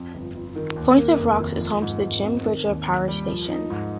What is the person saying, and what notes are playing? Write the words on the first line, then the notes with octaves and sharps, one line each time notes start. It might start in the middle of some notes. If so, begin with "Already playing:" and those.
Point of Rocks is home to the Jim Bridger Power Station.
Already playing: F2
G1
G1
D#3
D#2
A#3
F1
D#3
F3
G#2
G#2
C4
D#3
D#2
D#2
G3
F3
D#4
G#2